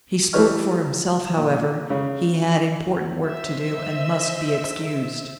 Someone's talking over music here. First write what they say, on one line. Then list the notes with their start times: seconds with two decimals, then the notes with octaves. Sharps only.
He spoke for himself, however,--he had important work to do, and must be excused.
0.33 E3 G3 B4 C#5 F6
1.37 A#2
1.90 C#3
3.27 C5 D#5 E5 E6